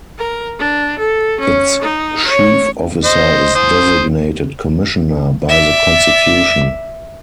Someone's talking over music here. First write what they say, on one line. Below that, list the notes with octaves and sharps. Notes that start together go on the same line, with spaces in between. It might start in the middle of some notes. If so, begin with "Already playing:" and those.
Its chief officer is designated "Commissioner" by the Constitution.
A#4
D4
A4
C#4
D#4
C#5
C5 D#5
C5 D#6
D5 E5